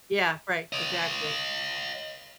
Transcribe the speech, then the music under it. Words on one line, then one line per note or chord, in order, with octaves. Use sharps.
Yeah, right, exactly.
C#5 D#5